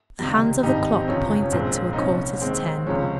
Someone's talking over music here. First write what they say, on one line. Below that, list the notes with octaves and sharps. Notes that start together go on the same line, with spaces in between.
The hands of the clock pointed to a quarter to ten.
C#2 C3 D#3 G3
G#1 G2 G3 D#4 G4
C4
G1 F2 C3 F3 C#4
C#4
A#1 A#2 G#3 C4
D#4
C2 A#2 F3 C#4
D#2 D#3 G#3 C4
C#2 C3 F3 G#3 C#4